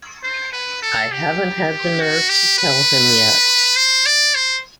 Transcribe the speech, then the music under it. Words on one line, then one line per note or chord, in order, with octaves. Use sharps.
I haven't had the nerve to tell him yet.
C5
B4
A4
G4
F#4
G4
B4
C5
D5
C5